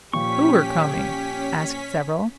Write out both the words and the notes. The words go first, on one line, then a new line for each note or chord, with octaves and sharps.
"Who are coming?" asked several.
A#2 F3 C#4 G4 C#6 B6